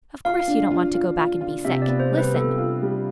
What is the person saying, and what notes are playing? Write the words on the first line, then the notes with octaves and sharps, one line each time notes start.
Of course you don't want to go back an' be sick! Listen!
F4 F5
D4
F4
F4
F4
F4
C3 E5
D5
B3
C5
G3
B4
B3 A4
F4
G3